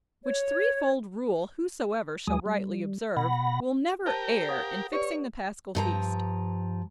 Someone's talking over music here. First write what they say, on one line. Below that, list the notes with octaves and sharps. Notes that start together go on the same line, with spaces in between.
Which threefold rule whosoever shall rightly observe, will never err in fixing the Paschal feast.
C#5
D#2 F#3 G#3 G#5 D#6
G3
B2 F#5 B5 A#6
G4 A#4 C5 A5
F5 F#5 D#6
G4 B4 C#5 D5
G2 F3 A#5